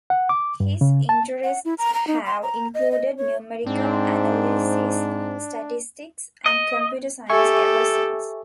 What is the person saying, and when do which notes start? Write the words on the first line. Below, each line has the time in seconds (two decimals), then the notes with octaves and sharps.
His interests have included numerical analysis, statistics, and computer science ever since.
0.10 F#5
0.29 D6
0.60 G2
0.81 C#3
1.09 A5
1.43 F#5
1.65 E4
1.78 A#5
1.94 A#5
2.07 D#4
2.26 C6
2.43 A#5
2.74 D#5
2.92 D#5
3.17 C#5
3.67 G#2 C4 D4
6.46 D#5
7.30 G4 A4 E5 G#5 C#6